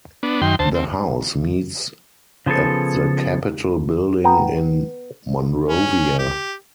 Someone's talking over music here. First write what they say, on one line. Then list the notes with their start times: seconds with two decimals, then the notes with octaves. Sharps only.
The House meets at the Capitol Building in Monrovia.
0.23 B3 D4
0.42 F#2 D#3 G5 C6
0.59 D2 C5 A5
0.75 C4
2.46 C#3 F3 B3 G#4 A4
4.24 B3 G5 A#5
5.68 C#4
6.19 G4